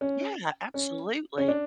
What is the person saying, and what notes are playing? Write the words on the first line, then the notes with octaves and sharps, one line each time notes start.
Yeah, absolutely.
C#4
C#4
C#4
D4